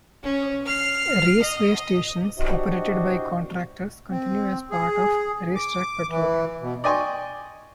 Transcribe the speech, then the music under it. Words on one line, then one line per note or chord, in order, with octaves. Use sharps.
RaceWay stations, operated by contractors, continue as a part of RaceTrac Petroleum.
C#4
F6 C7
D#5
D4 E4 F#4 G4 C5 D#5
C4
G#4
D6
E3
B2
D5 D#5 G5 G#5 C6 C#6